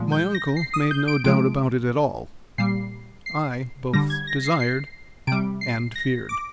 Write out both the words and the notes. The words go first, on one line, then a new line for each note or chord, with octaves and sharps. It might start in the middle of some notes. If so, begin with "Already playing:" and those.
My uncle made no doubt about it at all; I both desired and feared.
Already playing: A#2 F3 G#3
G6
A#6
C7
D#6
G6
D7
C3 F3 G#3 D7
A#2 G3 C7
C7
D3 G3 A#6
G#6
A#6
C7
C7
C3 G3 D7
C7
A#6
D6